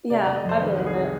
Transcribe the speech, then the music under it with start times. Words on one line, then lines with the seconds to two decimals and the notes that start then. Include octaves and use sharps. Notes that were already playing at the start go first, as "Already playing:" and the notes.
Yeah, I believe it.
0.10 C3 D5
0.24 D5
0.27 F1
0.36 D#5
0.45 F2 C5
0.61 D#3 B4
0.78 C2
0.86 G#4
0.95 C3